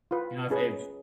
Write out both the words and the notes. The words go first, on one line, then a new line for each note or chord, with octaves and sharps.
You know, if if
F4 B4
C#4 G#4 B4